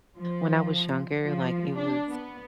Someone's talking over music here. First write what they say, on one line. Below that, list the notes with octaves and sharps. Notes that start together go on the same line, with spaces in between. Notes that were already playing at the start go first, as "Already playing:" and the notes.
when I was younger, like, it was,
F3
F3
D4
B3